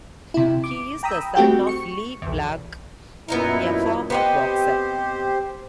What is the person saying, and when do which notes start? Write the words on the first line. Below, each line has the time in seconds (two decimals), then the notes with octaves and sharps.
He is the son of Lee Black, a former boxer.
0.34 C3 E4
0.64 D6
1.03 G5 A#5 B5 D#6 E6
1.35 A3 C4 F#4 G4 F#5 G5
1.67 C#6 C#7
2.22 B1 E2
3.28 F#2 A#2 B3 D#4 E4 A#4
4.10 B3 C4 G4 C5 D#5